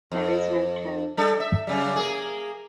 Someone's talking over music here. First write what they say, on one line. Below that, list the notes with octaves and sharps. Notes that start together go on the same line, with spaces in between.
There is no tone.
F2
G3 D4 A4
E5
F#2 C#3 G3
A#3 G#4